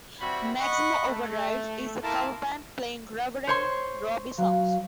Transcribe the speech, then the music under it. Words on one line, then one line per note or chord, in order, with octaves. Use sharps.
Maximum Overdrive is a cover band playing Rubberen Robbie songs.
G3 C4 E4 F#4 B5
D#5 F#5 B5 C#6
A3
A#3 E4 F4 A#4 A5
C5 C#5 C6
F#3 F5